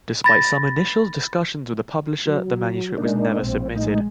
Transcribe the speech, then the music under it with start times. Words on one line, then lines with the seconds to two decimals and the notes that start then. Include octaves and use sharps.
Despite some initial discussions with a publisher, the manuscript was never submitted.
0.24 B5 A6 A#6
2.26 F#3
2.98 B2 G#3 A#3 D4 D#4
3.40 A#1 C4
3.76 A2 G#3 D#4